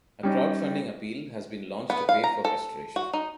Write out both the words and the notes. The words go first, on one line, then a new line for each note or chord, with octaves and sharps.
A crowdfunding appeal has been launched to pay for restoration.
G3 C#4 D#4
B3
F5
A#5
A4
F#4
D#4